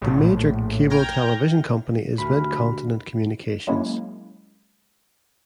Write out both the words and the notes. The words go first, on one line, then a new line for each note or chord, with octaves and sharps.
The major cable television company is Midcontinent Communications.
A#1 A2
G5 A#5 F6 G6 G#6 A#6
D2 F#4 G4 A#4 B5 F6
F#3 G#3 A#3 C#4 E4